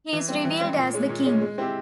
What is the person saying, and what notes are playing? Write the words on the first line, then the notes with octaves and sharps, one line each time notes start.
He is revealed as the King.
E3
G3 C4
E3
G3 C4
A#2
G#3 C#4
A#2
G#3 C#4
G#3
C4 E4 G4